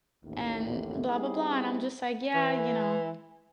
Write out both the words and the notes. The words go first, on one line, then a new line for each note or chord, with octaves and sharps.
and blah, blah, blah." And I'm just, like, "Yeah, you know,
A1 D#2 A2
G3 B3 C4 D#4 E4 G#4
E3